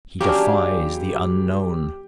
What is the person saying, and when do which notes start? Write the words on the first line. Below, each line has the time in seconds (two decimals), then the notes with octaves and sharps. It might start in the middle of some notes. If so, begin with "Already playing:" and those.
He defies the Unknown.
0.21 F#3 A#3 C#4 D4 G4 G#4 G#5